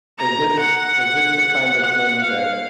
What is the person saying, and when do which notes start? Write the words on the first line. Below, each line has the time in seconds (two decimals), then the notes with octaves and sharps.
Is this is this the kind of thing that
0.18 A#5
0.59 F#5
1.81 F#5
2.21 F5